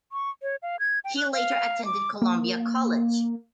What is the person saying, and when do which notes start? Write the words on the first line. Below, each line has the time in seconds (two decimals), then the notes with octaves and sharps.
He later attended Columbia College.
0.12 C#6
0.42 C#5
0.62 F5
0.80 G#6
1.04 G5
1.18 F#6
1.33 F5
1.85 D6
2.22 A#3